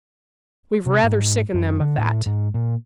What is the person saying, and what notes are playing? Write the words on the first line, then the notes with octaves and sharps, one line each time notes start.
We've rather sickened them of that.
C3
G#2
F#2
D3
A2
G#2
A#2